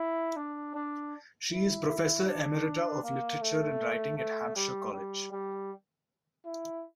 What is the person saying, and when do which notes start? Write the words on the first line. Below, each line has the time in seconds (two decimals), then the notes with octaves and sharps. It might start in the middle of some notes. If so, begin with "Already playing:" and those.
She is Professor Emerita of literature and writing at Hampshire College.
Already playing: E4
0.36 D4
0.75 D4
1.51 E4
1.89 E4
2.28 D4
3.03 A#3
3.41 A3
4.17 A3
4.56 G3
4.93 G3
5.32 G3
6.45 E4